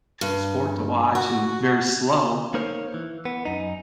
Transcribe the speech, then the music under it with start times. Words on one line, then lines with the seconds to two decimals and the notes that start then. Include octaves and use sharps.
sport to watch and very slow.
0.21 G2
1.15 F#4
2.54 A#3 D#4 A#4 C5 C#5
2.94 E3
3.25 B3
3.45 F#2 D#4